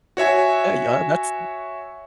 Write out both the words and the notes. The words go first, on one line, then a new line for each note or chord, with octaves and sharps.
A yeah, that's
F#4 C#5 E5 G#5